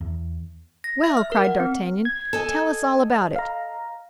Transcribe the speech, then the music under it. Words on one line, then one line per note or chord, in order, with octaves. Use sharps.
"Well!" cried d'Artagnan, "tell us all about it."
E2
A#6
E5
F6
A#4
F#5
C4
G#6
A4 D#5 G#5
F5 A#5